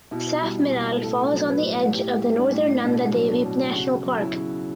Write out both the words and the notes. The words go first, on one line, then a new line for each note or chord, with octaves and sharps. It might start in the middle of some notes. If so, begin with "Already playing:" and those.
Saf Minal falls on the edge of the Northern Nanda Devi National Park.
B2 E4
G3
B2
A2 A4
F#3
B4
A2
A2 G4
G3
D4
A2
B2 D4
F#3
D4
B2
C#3 F#4
F#3
E4
C#3